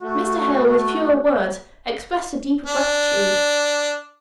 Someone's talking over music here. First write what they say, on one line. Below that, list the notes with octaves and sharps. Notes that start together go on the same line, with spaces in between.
Mr. Hale with fewer words expressed a deeper gratitude.
A3 F#4
D4